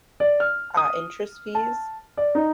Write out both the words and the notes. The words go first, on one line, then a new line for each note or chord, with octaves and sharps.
uh, interest fees,
D5
F6
D#6
A5
D5
D#4